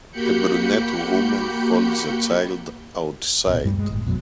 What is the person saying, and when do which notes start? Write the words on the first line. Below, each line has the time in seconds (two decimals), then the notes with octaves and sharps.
A brunette woman holds a child outside.
0.11 A#3 F#4 G4 B5 G6 C#7
3.47 D1 B2
3.65 G2 G3 A3
3.79 G#3
3.90 G1 A2
4.06 F2 B2 F#3